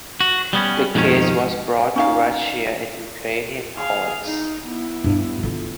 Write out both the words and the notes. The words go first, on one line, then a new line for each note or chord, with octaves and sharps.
The case was brought to Russian and Ukrainian courts.
F#4
G3 B3 C#4
F2 G#2 B2 D#3 C#4
C#4 D#4 F5
G#4 F5
D#4
B3 E4
G2
D3 F4